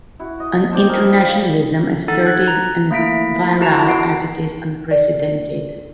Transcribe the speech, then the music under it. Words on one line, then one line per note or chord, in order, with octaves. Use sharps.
An internationalism as sturdy and virile as it is unprecedented.
E4 F#4
D#5
A4 C5 D5 G5
D#3 G#4 A#4
G3 D4
F3
D#4 A4 F#5 A6
F#6 G#6
A#5
A3 A#3 E4 B6 D7
E4 F#4 A5 A#5
F#5 C7 D7
D5